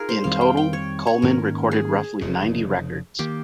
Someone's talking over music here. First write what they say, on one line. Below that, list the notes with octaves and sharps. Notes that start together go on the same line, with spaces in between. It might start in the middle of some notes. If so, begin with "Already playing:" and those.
In total, Coleman recorded roughly ninety records.
Already playing: D#4 F4 G#4 A#4
C5
F2 D#3 G3 C4 F5
G5
G5
C#5
C#5
G#2 D#3 A#3 C#4 A#4
G#4
F1 F2 C#3
D#3 A#3 G4